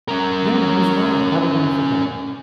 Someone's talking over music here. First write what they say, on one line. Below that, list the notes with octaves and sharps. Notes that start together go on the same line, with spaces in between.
Yeah, you as well. Have a wonderful day.
C#4 A#4